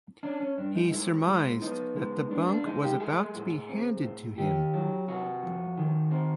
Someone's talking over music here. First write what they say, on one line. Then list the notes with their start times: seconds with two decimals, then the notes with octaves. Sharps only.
He surmised that the bunk was about to be handed to him.
0.23 C#4 D4
0.40 C#4
0.58 G2 D4
0.75 D#4
0.92 G#3 E4
1.27 G#3
1.62 B3 D#4
1.96 G#3
2.31 G#3 D4
2.49 D4
2.65 G#3 D#4
2.83 G4
3.00 A3 G#4
3.35 A2
3.69 C4
4.04 A2
4.38 D#3 G4
4.74 F#3
5.08 C3 F#4
5.43 F2
5.78 D#3
6.11 C4